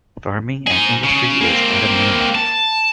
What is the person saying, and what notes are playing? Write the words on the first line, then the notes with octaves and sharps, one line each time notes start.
Farming and industry is at a minimum.
D#4 G#4
C#3
A#3 C4
A5